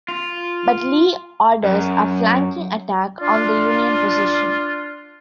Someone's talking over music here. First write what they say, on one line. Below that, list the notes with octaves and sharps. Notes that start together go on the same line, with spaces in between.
But Lee orders a flanking attack on the Union position.
F4
F#2
D4 F4